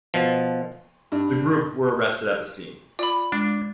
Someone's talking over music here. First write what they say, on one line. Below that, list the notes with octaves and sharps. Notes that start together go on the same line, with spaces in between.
The group were arrested at the scene.
B2 F3
G2
F4 D5 B5
G#3 D4